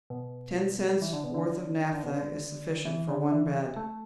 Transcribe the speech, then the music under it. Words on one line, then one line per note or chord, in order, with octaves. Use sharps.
Ten cents' worth of naphtha is sufficient for one bed.
B2
E3
D3
B2
D3
D3
B2
D3
E3
D3
E3
A3